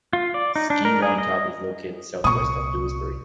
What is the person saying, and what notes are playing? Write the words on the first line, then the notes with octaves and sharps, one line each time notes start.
Ski Roundtop is located southwest of Lewisberry.
F4
D5
D#4
D4
A#4
G#4
D#5
C2 A#2 C#6 D#6